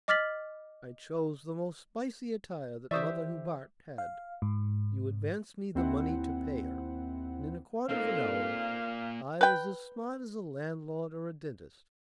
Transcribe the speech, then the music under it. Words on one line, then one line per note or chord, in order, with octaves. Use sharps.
I chose the most spicy attire that Mother Hubart had,--you advanced me the money to pay her,--and in a quarter of an hour I was as smart as a landlord or a dentist.
D#5 D6 F6 A6 B6 F#7
E3 G4 C5 D5 E5 C#6 D#6
F5
G#2
D#2 C4 E4 F#5
A#3 C4 D#4 F4 A4 F5
B4 G5